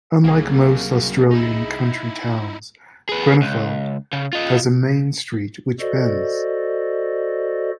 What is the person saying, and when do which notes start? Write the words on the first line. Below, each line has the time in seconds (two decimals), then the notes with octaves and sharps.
Unlike most Australian country towns Grenfell has a main street which bends.
0.24 C2 F#3 A#3 G#4
1.31 D#4 E4
3.09 G#4 B4
3.42 C#2
4.13 C#3
4.33 F4 D#5
5.80 F#4 A4 C5 D5 D#5